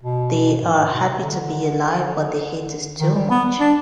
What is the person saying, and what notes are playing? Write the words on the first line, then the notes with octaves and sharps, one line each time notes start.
They are happy to be alive, but the heat is too much.
B2
G#2
G#2
B2
C3
D3
D#3
G3
B3
D4